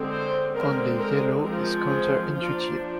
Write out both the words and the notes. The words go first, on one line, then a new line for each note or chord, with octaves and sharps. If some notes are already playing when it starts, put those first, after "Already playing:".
Only yellow is counter-intuitive.
Already playing: D3 G#3 C4
C5
D3 G#3 C4 A#4
A#4
F3 G#3 C4 A#4
G#4
F3 A#3 D4 F4